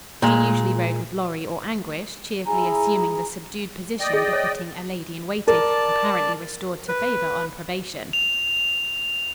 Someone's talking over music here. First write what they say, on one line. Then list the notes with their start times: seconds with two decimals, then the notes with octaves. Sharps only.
She usually rode with Lorry or Anguish, cheerfully assuming the subdued position befitting a lady-in-waiting apparently restored to favor on probation.
0.22 A#2 G#3
2.46 E4 G#4 G#5 A#5
4.00 D5 D#5 G5
4.13 G#4
4.33 C#5
5.48 A#4 D5 A5
6.88 B4
8.13 F7